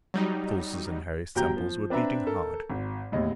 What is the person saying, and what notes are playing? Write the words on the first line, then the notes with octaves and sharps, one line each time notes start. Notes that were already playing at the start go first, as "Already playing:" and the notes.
The pulses in Harry's temples were beating hard.
F#3 G3 D#4
G1 F#3 G3 G5 A#5 G6
F3
C4 D4 B4 E5 A#5
A4 A#4
G#1
E1 D#2 A2 D#5